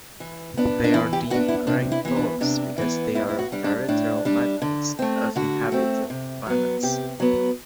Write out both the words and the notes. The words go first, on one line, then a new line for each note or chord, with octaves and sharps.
They are deemed great lords because they are territorial magnates of inhabited planets.
E3
B3 D4
D4
E3 E4
G4
B3 D4 F#4
E4
C3 D4
E4
E3 B3
D4
C3 D4
E3 B3
A2 E4
E4
F#4
G3 D4
D4
A2 D4
G3 D4
D3
A3 C4
D3 F#4
A3 C4
C3
F#3 B3
C3 G4
F#3 B3